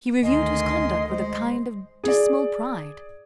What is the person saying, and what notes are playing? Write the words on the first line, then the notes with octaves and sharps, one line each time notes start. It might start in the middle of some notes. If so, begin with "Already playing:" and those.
He reviewed his conduct with a kind of dismal pride.
D2 D#3 A#4 D#5 G#5 C6
G#3 C5
G#4 D5